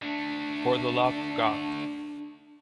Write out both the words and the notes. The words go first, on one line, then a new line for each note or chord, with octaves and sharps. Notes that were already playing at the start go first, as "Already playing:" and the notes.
For the love of God.
D3 A3 D4